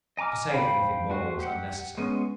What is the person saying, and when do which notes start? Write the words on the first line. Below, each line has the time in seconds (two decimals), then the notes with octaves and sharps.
To say anything more was unnecessary.
0.17 D#5 G#5 A#5 D6 F6
0.50 C5 F5 G5 B5
1.10 A3 F#4 C5
1.40 G4 F#5
1.98 G#3 B3 C#4